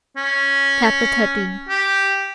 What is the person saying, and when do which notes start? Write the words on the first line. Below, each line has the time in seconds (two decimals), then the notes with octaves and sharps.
Chapter XIII.
0.17 C#4
1.69 G4